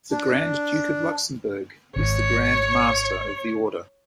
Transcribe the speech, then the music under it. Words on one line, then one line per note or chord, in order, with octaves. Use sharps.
The Grand Duke of Luxembourg is the Grand Master of the Order.
D4
G#1 C#5